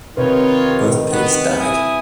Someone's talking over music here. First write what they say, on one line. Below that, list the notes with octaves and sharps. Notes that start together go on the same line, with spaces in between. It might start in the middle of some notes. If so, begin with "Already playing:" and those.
Both pigs died.
C3 D#3 D#4 F4 B4 C#5
B3
E4 G#5 D#6